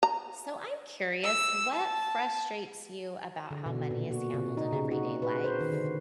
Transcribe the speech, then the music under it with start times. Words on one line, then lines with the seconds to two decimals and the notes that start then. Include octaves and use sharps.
So I'm curious, what frustrates you about how money is handled in everyday life?
0.03 A#5
1.24 E6
1.74 A5
3.51 D3
3.66 B2
3.91 A#2
4.11 F#4
4.34 C3
4.57 D#4
4.73 C#3
4.91 F#4
5.22 B4
5.44 C5
5.61 D#3
5.73 D3